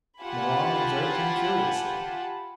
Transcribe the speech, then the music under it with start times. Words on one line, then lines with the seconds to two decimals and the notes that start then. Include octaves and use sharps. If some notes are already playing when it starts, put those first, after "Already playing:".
Milon observed him curiously.
0.21 F4 G4 F#5 G#5 A5 B5